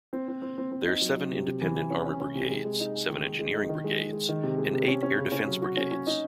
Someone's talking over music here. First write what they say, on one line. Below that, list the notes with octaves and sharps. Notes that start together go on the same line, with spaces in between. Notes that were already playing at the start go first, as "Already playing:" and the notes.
There are seven independent armoured brigades, seven engineering brigades and eight air defense brigades.
C4
C4
C4
C4
C4
D#4
F#3
F#3
C3
C3
E3
E3
C#4
C#4
C#4
C3
G#3
G#3
D#4
G#4
D#3
G#3
G#3
D#4
D#3
G#3
G#3
G#3
D#3
C3
G#3
C3
C#4
C#4
C#3
C#4
F#3
F#4
C#4
C#4
D#4